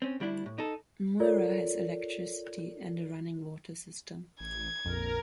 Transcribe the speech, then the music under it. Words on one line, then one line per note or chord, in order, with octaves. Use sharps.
Murra has electricity and a running water system.
C4 C#4
D2 G3 D4 E4
A2
D#4 A4
F4 A4 A#4 C#5 D5
A1 G#6
A#1 F2 A#4